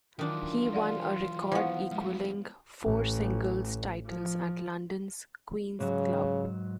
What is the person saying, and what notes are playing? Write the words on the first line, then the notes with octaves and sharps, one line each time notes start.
He won a record-equalling four singles titles at London's Queen's Club.
D#3 E3 F#3 D4 F4
D5 F5 F#5
F3 B3 E4 C5
F2 G3 G#3
A1
F3
G#2 C#3 F#3